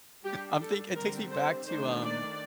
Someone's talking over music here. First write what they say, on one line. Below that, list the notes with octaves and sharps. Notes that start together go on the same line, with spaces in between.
I'm think it takes me back to, um
G3 D4 G4
A4
D3 G3 C4 A#4
C5
D#3 A3 D4 C5
D5